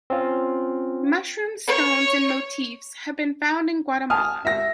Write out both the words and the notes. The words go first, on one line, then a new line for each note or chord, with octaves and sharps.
Mushroom stones and motifs have been found in Guatemala.
C4 C#4 F4
C#5
G#5 A5 D#6 F6
E5 A#6